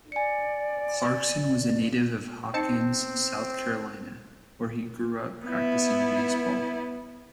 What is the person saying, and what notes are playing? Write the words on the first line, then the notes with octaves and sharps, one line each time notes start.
Clarkson was a native of Hopkins, South Carolina, where he grew up practicing baseball.
D5 G#5 C#7
C4 D#4 A5 C#7
B3 E4